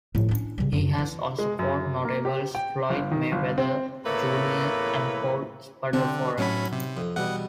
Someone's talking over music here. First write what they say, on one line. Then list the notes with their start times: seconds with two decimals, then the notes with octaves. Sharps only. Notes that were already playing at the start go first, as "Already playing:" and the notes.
He has also fought notables Floyd Mayweather Junior and Paul Spadafora.
0.15 A2 F3
0.29 C#4 D4
0.58 C#3 G3
0.72 F#2 C#3
0.98 E3
1.38 G#3
1.59 F#2
2.05 A#3
2.25 G4
2.55 G5
2.90 G1
3.11 D#3
3.32 G1
3.58 C4
4.06 E2 A2 A#3 B4 C#5 E5
5.93 D3 C4 D4
6.38 A2 F#3 C#4 B5
6.72 C3
6.97 F2
7.16 E2 B2 G3 F#5